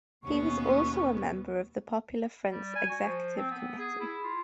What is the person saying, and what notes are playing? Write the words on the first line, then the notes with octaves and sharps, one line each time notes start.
He was also a member of the Popular Front's executive committee.
D#2 B2 B3 C#4 C#6
G3
G#5
F#4
F3
C4
B3
G#4
E4
F4